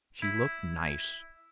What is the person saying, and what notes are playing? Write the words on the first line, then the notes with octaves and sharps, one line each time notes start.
She looked nice.
E4